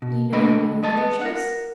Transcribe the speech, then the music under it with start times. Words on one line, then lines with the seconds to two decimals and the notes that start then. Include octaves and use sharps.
You know the new enclosures?
0.02 B2
0.33 D3 A3 B4 D#5 G5 B5
0.83 G#3 D#5 A5
0.97 B3
1.21 A#4 F#5